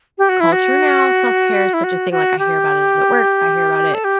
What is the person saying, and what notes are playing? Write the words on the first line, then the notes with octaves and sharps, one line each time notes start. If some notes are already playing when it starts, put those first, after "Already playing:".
culture now, self-care is such a thing, like, I hear about it at work, I hear about it
G4
F#4
E4
F#4
E4
F#4
F#4
G4
A4
G4